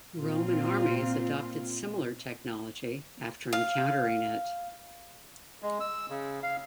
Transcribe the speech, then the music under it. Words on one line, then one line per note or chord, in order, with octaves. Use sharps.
Roman armies adopted similar technology after encountering it.
A#2 C4 F4
F5
G#3
E6
C#3
F5